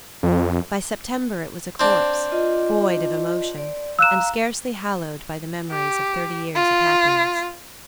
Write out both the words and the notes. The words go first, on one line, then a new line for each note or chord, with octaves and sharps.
By September it was a corpse, void of emotion, and scarcely hallowed by the memories of thirty years of happiness.
F2
C4 D4
F4 D#5
D5
F5 A#5 E6 F#6 E7
G4
F4